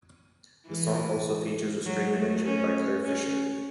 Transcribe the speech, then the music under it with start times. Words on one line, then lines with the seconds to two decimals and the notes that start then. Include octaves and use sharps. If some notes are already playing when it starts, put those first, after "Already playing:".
The song also features a string arrangement by Clare Fischer.
0.66 E3
1.86 F#3
2.15 A3
2.45 C#4
3.05 C#4